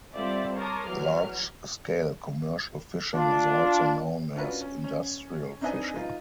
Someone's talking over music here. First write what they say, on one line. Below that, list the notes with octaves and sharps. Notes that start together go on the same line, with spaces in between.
Large-scale commercial fishing is also known as industrial fishing.
G3 C4 F4 A4 D5 E5
A#4 C#5 A5 C6 D6 D#6
E2 E3 F#3 F6
D4 F4
C#4 D4 F4 F#4 A#4 B4
C#4
C#4
C4 D4 D#4 B4 D#5 G#5
D#4 F4 B4